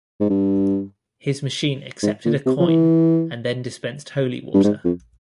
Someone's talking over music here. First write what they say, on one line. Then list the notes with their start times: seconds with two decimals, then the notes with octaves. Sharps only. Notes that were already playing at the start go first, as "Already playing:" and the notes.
His machine accepted a coin and then dispensed holy water.
0.20 G#2
0.30 G2
2.03 G#2
2.25 A#2
2.46 C3
2.60 F3
2.68 E3
4.54 G2
4.64 G#2
4.85 F2